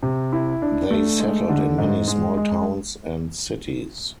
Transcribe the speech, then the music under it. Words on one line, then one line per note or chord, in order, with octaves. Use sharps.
They settled in many small towns and cities.
C3
E4
D4
A3
G#3
D3
G#2
G#3
G#3